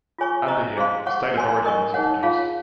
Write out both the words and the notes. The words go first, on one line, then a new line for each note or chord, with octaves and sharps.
Under him State of Origin was introduced.
F4 G#4 C#5 G#5 C#6
C5 D#5 A#5 C#6
G#4 C5 F5 C6
G#4 C#5 F#5 C#6
A#4 C#5 G#5 C6
A#4 D#5 G#5 C#6
D#4 G#4 C#5 F#5
F4 G#4 C#5 F5